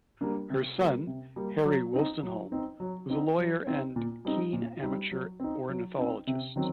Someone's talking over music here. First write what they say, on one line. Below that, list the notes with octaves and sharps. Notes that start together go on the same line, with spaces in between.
Her son, Harry Wolstenholme, was a lawyer and keen amateur ornithologist.
G3 A#3 D4
C3
G3 A#3
C3
G3 A#3
F#3
C4 D#4
F#3
C4 D#4
F#3
C4 D#4
F#3
C4 D#4
A#2
G3 C4 D#4
A#2
G3 C4 D#4
F#3
C4 D#4
F#3
C4 D#4
C3
D#3 F#3 C4